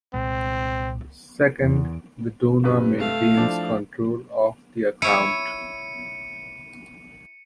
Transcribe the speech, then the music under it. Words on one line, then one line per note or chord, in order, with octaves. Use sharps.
Second, the donor maintains control of the account.
C2 A#2 G#3 C4
E2
G2 C3 B4
A3 F5
F3 D4 E4
E4 C#5 C#7 D#7